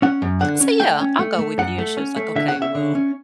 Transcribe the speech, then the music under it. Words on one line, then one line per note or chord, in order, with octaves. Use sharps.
I said, "Yeah. I'll go with you," and she was like, "Okay. We'll
C#4 F#5
F#2
D3 F#5
C#4
A3 G5
C#4
A3
A3
F#2 F#5
A3
C#4
A3
D3 E5
F#5
C#4
E5
D3
C#4